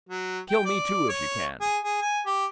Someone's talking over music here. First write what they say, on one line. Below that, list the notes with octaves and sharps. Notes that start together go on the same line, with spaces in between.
Kill me too, if you can.
F#3
G5
D5
C#5
G#4
G#4
G#5
G4